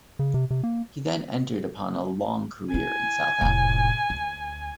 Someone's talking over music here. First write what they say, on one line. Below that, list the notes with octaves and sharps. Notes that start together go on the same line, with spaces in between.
He then entered upon a long career in South Africa.
C#3
C3
C3
A#3
E4 G#5
F1 A2
D2